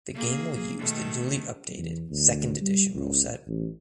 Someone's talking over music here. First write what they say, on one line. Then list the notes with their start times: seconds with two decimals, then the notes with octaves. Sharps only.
The game will use the newly updated Second Edition ruleset.
0.15 A#3 G#4
0.78 B2 D#3 A3
1.77 E2
2.10 D2
2.61 G3
2.94 C#2
3.47 A1